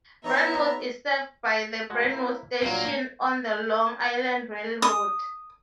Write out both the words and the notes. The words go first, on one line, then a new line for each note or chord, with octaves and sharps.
Brentwood is served by the Brentwood station on the Long Island Rail Road.
B3 D#4 C#5 E5 A#5
G#3 A3 F#4
A#3 E4
A#1 A#2 F#3 A#3
D#6